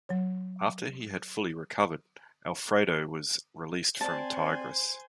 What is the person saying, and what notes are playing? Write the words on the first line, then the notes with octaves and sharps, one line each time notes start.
After he had fully recovered, Alfredo was released from Tigres.
F#3 C#5
C4 C5 D5 G#5 A5